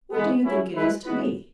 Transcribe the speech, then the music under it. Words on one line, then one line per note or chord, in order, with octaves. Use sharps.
What do you think it is to be?
E3 G#3 B3
F#3 C#4 E4
G#3 E4 B4
E3 G#3 B3 F#4 B4